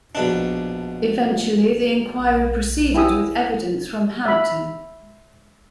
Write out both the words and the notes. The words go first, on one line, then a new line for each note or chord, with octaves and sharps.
Eventually the inquiry proceeded with evidence from Hampton.
A#1 B2 D4
E4 G5 G#5 D#6 E6
E5 B5